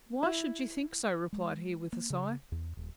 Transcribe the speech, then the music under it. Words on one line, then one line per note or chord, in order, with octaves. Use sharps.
"Why should you think so!" replied he, with a sigh.
E4
G#3
A#3
C#3
E2
D#1